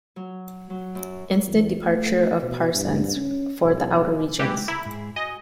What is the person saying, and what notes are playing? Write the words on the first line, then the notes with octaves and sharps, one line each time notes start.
Instant departure of Parsons for the outer regions.
F#3
F#3
F#2
E2
A3
B2
G2
C#4
B1
E3 G#3 E4 G4
E4 A#5
G#2 G#4
F#4 D#5 G#5